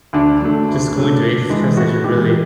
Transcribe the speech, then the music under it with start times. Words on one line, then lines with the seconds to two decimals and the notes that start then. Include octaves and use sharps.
just going to any gas station really
0.13 D2 D4
0.41 D3 F#3 A3
0.69 D2
0.96 D3 F#3 A3
1.23 A2
1.50 E3 G#3
1.77 A2 F#4
2.04 E3 G#3 G4